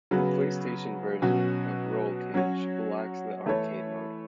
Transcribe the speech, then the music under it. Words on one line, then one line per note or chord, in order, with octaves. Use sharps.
The PlayStation version of Rollcage lacks the "Arcade" mode.
C#3 F#3 B3 F#4 B4
B2 F#3 C#4 F#4
F#3 C#4 F#4 C#5
E3 A3 E4 A4 C#5